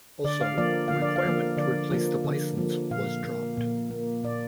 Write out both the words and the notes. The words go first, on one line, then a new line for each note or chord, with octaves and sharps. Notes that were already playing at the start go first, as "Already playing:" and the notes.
Also, the requirement to replace the Bisons was dropped.
D3 D5
F5
F3 A#3 D5
D3 F5
D5
F5
F3 A#3
D3 D5
F3 A#3
D3
F3 A#3
A#2 F5
A#3
A#2
A#3
A#2 D5